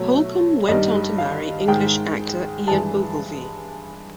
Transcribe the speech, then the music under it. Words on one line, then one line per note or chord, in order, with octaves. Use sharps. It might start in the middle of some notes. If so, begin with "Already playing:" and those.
Holcomb went on to marry English actor Ian Ogilvy.
Already playing: B2 F#3 A3
G2 D#3 G3 D#5
F5
G#2 D#3 G#3 G5
G2 E3 G#3 A5